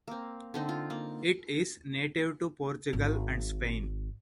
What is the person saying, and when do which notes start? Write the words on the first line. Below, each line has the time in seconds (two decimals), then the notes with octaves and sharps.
It is native to Portugal and Spain.
0.08 A#3 C4
0.54 D3 C4 D#4
0.69 F4
0.90 A#3
2.93 G#1